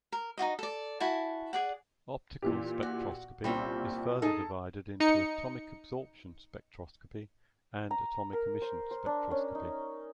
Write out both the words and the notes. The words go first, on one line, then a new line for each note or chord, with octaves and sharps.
Optical spectroscopy is further divided into atomic absorption spectroscopy and atomic emission spectroscopy.
A#4
D#4 F4 F#4 D#5
A4 D5
E4 F#4 G#5 A5
G#4 D5 F#5
A#2 E3 G4
F#4
C2 A#2 G3 C4 C#4
D#4 G#4 A4 D#5 A5
D#4 C#7
A#5
A#4
C5
C5
D4
C#4
D#4